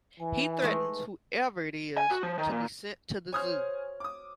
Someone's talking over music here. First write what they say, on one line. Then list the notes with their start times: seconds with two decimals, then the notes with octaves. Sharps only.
He threatens whoever it is to be sent to the zoo.
0.20 E3 G#5
0.62 G#3 A3 D#4 B4
1.98 G#5
2.11 F#4
2.23 F3
2.38 D#3
2.51 A#2
3.32 F#4 C5 C#5 G#5 D#6 F6
4.00 D6 D#6